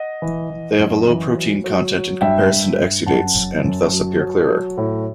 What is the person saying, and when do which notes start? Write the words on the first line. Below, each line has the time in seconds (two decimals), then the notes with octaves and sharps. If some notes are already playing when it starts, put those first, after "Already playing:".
They have a low protein content in comparison to exudates and thus appear clearer.
Already playing: D#5 F#5
0.22 E3
0.50 E3
0.79 F#2
1.08 E3
1.36 F#3
1.64 F#3
1.93 F#3
2.21 G2 E5 G5
2.50 G2
2.78 G2
3.06 F#2 F#5 A5
3.35 F#2
3.64 F#2
3.92 F#3
4.21 F#3
4.49 F#3
4.77 A2